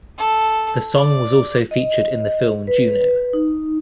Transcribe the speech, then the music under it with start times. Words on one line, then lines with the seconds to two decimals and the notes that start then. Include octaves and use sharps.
The song was also featured in the film "Juno".
0.18 A4
0.95 D5
1.71 D#5
2.67 B4
3.33 D#4